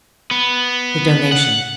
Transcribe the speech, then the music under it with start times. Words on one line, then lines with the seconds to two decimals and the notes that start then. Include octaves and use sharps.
The Donation.
0.31 B3
1.32 F#5